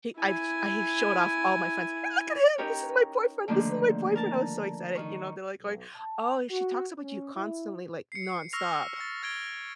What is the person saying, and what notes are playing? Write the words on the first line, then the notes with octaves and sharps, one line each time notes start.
he I've I showed off all my friends, "Hey, look at him, this is my boyfriend, this is my boyfriend," I was so excited, you know? They're like going, "Oh, she talks about you constantly, like, nonstop."
E4 G#5
C#4 D#4 E4 G4 A#4 C#5
D3 D#3 F3 A3 A#3 D4
A#4 A5
D#3 C#6
B1
A5
F#4
C#4
E4
C7 C#7
C#6 E6 F6 A#6 C7 F7
A6 C#7
F6 G#6 D7 G7